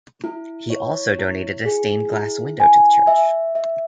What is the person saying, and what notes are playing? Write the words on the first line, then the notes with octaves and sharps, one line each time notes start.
He also donated a stained glass window to the church.
E4
C#5
E4
G#4
E4
G#5
E5
E5